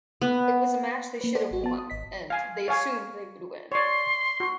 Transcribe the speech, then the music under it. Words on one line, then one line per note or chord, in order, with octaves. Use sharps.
It was a match they should have won, and they assumed they would win.
B3
A#3 B4
A4 C5 D5 F#5
G#1 F#4
B3 A5
D#6
G#1 D#5 B6
F5 G#5
C#5 F5 G#5
C#5 D5 C6
F#4